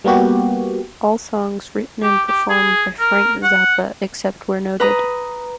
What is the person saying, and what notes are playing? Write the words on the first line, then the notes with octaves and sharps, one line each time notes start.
All songs written and performed by Frank Zappa, except where noted.
G3 A#3 B3 F#4 G4
G4
G4
G#4
A#4
F#5
B4 A#5 D#6